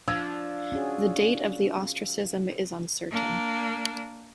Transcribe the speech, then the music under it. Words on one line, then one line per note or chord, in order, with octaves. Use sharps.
The date of the ostracism is uncertain.
F3 D4 E6 G#6
C#4 F#4 G#4
A#3 D4